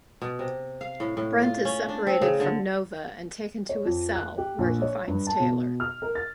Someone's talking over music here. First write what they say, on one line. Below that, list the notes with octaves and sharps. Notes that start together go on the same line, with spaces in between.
Brent is separated from Nova and taken to a cell, where he finds Taylor.
B2
C3
F5
A2
A2
F4
C#4
D4
C4
C#3
D3
C#5
F2
F#6
G4
A#1
C#5
G2
A5
B2
F6
A#4
A6